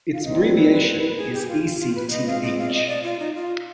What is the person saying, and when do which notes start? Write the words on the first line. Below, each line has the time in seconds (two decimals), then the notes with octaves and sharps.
Its abbreviation is Ecth.
0.14 F5
0.24 D#2 D#3 G3 C4 D#4 D#5
0.40 B4
0.56 B4
0.72 B4
1.17 G#4
1.34 G4
1.48 F4
1.64 F4
1.80 F4
1.95 B4
2.10 B2 G#3 C4 F4 D#5
2.27 F5
2.42 D#5
2.58 F5
2.69 D5
2.73 D#5
2.88 D5
3.03 F4
3.20 D#4
3.35 F4